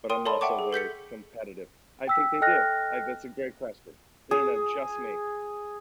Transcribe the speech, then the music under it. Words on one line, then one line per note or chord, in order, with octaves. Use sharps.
but I'm also very competitive. I think they do. I That's a great question. No, no, no. Just me.
A#4 G5 C6 D#6 D#7
A4 C#5 D5 A5 B5 C6
E5 F#5 G5 A5 C#6 D6
G#4
A4 G6 B6 C#7
G5 E6 B6
A4 D#5 G5 F6 F#6 A#6
G#4